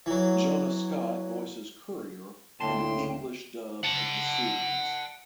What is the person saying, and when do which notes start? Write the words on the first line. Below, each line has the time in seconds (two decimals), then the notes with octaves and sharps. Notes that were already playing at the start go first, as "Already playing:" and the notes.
Jonah Scott voices Courier in the English dub of the series.
0.06 E3 F#3
2.60 D2 A2 A#3 G5 A5 C6
3.84 F#5 A5